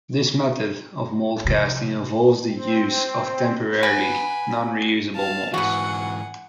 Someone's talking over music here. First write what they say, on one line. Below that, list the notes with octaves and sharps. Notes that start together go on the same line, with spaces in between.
This method of mold casting involves the use of temporary, non-reusable molds.
C3 F3
C4
B4 F#5 G#5 B5
F5 A5
G#2 E3 B3 F#4 G#4 F#5